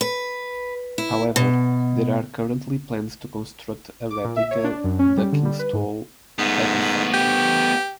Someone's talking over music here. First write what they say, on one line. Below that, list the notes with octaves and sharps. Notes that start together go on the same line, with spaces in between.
However, there are currently plans to construct a replica ducking stool at the site.
B4
E4
B2
D6
A#2
E5
C#5
D4
F#2
C#4
G3
D3
G3
B4
G#2
G#2 A3 B3
G4